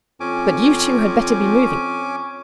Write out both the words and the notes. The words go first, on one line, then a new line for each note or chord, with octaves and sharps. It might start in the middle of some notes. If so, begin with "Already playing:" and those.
But you two had better be moving.
F2 C#4 G#5 D6